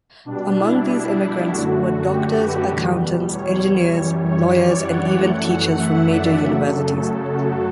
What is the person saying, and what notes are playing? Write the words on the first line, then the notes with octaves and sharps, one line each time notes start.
Among these immigrants were doctors, accountants, engineers, lawyers and even teachers from major universities.
B2 G3 D4
E4
E4
F#2 D3 A3 F#4
G4
B4
E2 B2 G3
C#5
F#2 E3 G3
C#5
D5
F#5
F#2 E3 A3
F#5
E5
D5
F#2 C#3 F#3 A3
A4
A4
F#4